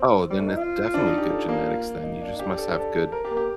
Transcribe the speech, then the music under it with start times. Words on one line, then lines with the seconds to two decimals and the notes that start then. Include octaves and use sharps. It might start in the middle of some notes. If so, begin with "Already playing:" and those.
Oh, then it's definitely good genetics then. You just must have good,
Already playing: C4
0.30 G3
0.39 A3
0.47 D#4
0.57 F4
0.94 D4
1.06 D#4
1.18 G4
1.30 F4 A4
1.49 A#3
2.03 D#4
2.22 D4
2.35 D#4
2.39 D4 G4
2.58 A4
2.76 A4
3.12 A#4
3.25 G4
3.31 A#3
3.37 G4